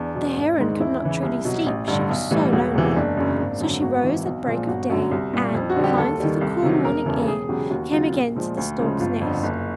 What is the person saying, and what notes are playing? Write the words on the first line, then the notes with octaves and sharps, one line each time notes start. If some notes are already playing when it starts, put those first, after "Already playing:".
But the Heron could not truly sleep, she was so lonely. So she rose at break of day, and, flying through the cool morning air, came again to the Stork's nest.
Already playing: E2 D4
B2 F#3
G#1
G#2 D#3 G#3
E2 E4
C#3 E3
C2
B2 F#3
A1
G2 D3
B1
A2 E3 G3
E1 F#4
E2 C3 E3
F#1 D4
F#2 C#3
G#1
F#2 D3 F#3
G#1 F#4
G#2 E3
B1
A#2 F3 G#3
G1 F#4
F#2 D3 F#3
C2
A#2 G3
F2
F#4
D3 G3
G4
D#2 A4
D#3 G3
C2
C3 D#3 F#3
E1 A#4
E2 C#3 E3 A4
E1 G#4
E2 C#3 F#3 G4
D#2 F#4
C#3 F#3 F4
A#1
A#2 F3 G#3
D2
C#3 F3 G#3
G1 F4
F2 D3
F#1